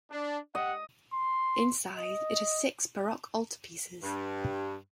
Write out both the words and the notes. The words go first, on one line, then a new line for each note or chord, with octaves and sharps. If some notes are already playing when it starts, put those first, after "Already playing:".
Inside, it has six Baroque altarpieces.
D4
G4 D#5 F#5
C6
D#5
G2